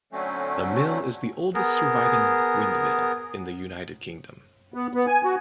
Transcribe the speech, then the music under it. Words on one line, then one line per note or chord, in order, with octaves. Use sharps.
The mill is the oldest surviving windmill in the United Kingdom.
D3 F#3 A3 C4 C#4
B3 G#4 A#4
B3
B3
G#5
F#4